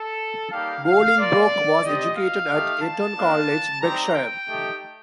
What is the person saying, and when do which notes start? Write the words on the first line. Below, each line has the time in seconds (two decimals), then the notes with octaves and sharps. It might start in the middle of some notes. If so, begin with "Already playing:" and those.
Bolingbroke was educated at Eton College, Berkshire.
Already playing: A4
0.52 G3 A#3 D#4 G4 F5
0.85 F5
1.18 A#3 F4 D5
1.84 C4 D#4 G4 D#5
2.17 F5
2.50 A3 D#4 G4
2.83 A5
3.16 A#3 D4 F4
3.82 G3 C4 D#4 G4 A#5
4.14 G5
4.47 A3 D#4 G4